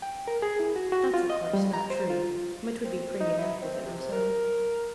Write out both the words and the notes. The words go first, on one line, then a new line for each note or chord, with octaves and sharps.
That's, of course, not true: but 'twould be pretty enough if it were so.
G5
A#4
G#4
E4
F#4
F#4
F4
D#5
G3
A#5
C5
F4
C4
D#4
E4
C4
C3
A#4